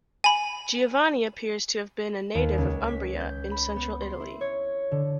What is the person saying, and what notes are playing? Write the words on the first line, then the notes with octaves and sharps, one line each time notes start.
Giovanni appears to have been a native of Umbria, in central Italy.
G#5 B5
D#2
C#2
B6
G6
B5
B3
C6
E4
C#5
D3